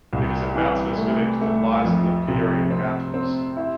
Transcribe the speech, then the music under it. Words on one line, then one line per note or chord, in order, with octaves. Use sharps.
It is a mountainous village that lies on the Pierian Mountains.
C2
E3
A3
A3
F2
C3
C4
C4
E4